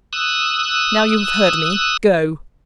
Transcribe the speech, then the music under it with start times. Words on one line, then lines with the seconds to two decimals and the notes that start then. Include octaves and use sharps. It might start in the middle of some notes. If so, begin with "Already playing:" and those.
Now you have heard me, go!
0.13 D#6 E6 F#6